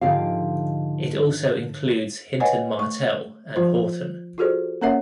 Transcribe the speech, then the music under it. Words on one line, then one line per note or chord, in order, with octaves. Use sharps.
It also includes Hinton Martell and Horton.
G#2 D3 F3 F4 G4 F5
B4 C#5 D#5 F#5 G#5
A3 C#6
F3 F4 C5
F4 F#4 G#4 A4 C5 D5
A#3 C#4 A#4 C#5 E5 F#5